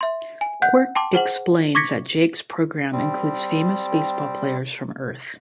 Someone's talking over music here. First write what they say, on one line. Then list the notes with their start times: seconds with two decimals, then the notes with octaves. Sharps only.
Quark explains that Jake's program includes famous baseball players from Earth.
0.01 E5 C6
0.41 G#5
0.62 F#5 F#6 G6
0.95 G5 A5 C6 D6
1.14 G#4 C5 F#5 F#7
1.75 C#6 D6 G#6 A#6 B6 C#7
2.93 G3 C4